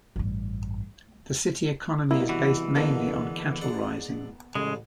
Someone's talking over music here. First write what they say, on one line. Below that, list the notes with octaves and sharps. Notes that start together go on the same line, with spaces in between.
The city economy is based mainly on cattle rising.
A1 G2
C2 B2 A#3 E4
E3 F#4
G#2 B2 D3 A#3 B3 A4
G#2 D4 F#5
A1 A2 C#3 G#3